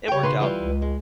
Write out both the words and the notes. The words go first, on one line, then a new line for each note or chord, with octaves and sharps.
it worked out.
C#3 C#5 G5
B2 D#3 B4 C6
E3 G3 F4
C#2
G#3